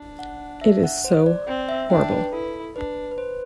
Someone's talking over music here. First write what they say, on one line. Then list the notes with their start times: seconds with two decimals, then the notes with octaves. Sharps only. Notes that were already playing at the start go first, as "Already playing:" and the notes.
It is so horrible.
Already playing: D4
0.19 F#5
0.61 E5
0.84 F#5
1.04 C5
1.26 D5
1.47 C4
1.69 E5
1.90 D4 G5
2.11 B4
2.33 E4 A4
2.75 D4 B4
3.11 B4
3.18 C5